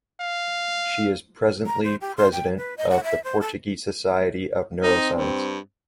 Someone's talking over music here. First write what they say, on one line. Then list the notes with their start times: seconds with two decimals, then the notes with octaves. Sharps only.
She is presently president of the Portuguese Society of Neuroscience.
0.20 F5
1.66 A#5
1.83 C5
2.01 G4
2.17 C6
2.32 G5
2.57 B4
2.77 D#5
2.90 F#5
3.04 E5
3.24 C5
3.41 A4
4.82 C4 D#4
5.16 G2